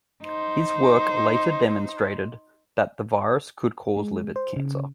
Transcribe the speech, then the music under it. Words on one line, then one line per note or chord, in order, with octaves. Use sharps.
His work later demonstrated that the virus could cause liver cancer.
D#4 C5
G#3
C5
C#3